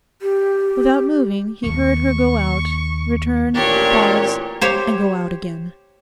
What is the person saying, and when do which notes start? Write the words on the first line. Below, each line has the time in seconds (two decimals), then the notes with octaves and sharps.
Without moving he heard her go out, return, pause, and go out again.
0.22 G4
1.64 D#2 A#3 C#6
3.55 A1 A#2 D4 G4 C#5
4.61 G4 C5 C#5